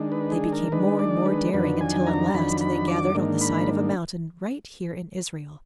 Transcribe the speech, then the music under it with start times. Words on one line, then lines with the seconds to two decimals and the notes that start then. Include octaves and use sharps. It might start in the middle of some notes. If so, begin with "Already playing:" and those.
They became more and more daring, until at last they gathered on the side of a mountain right here in Israel.
Already playing: D#3 G#3 D4
0.12 B4
0.32 G#4
0.53 A#4
0.72 D#3 G#3 D4 B4
0.99 D5
1.26 B4
1.53 F2 D#3 F#3 D4 B4
1.81 G#5
2.07 A#5
2.34 F2 D#3 F#3 D4 B5
2.61 B5
2.88 D6
3.15 G#2 D#3 A#3 D4
3.41 B5